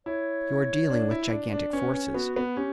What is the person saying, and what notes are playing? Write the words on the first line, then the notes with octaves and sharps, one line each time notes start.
You are dealing with gigantic forces.
E4 C#5
D4
E4
D4
D4
C#4 B4
C#4
B3 F#4
B3
C#4 G4